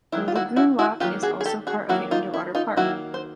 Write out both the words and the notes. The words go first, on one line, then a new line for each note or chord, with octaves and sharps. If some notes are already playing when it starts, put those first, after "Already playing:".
The lagoon Lac is also part of the underwater park.
D#3 F#3 A#3 E4
F4
E4 F#4
E4 F#4
E4 F#4
D#3 F#3 A#3 F4 G4
F#4 G#4
G#4
G4 A4
F#4 G#4
D#3 F#3 A#3 E4 F#4
D#4 F4
E4
D#4 F4
D#3 F#3 A#3 E4 F#4
C5